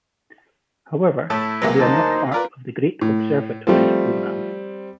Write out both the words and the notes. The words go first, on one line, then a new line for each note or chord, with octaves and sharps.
However, they are not a part of the Great Observatories program.
A2 A3 E4 A5
C2 F#3 G#3 A#3 B3
D2 D#4 C5 A5
F4 A#4 B4 D5
A2
F3 G3 A3 C4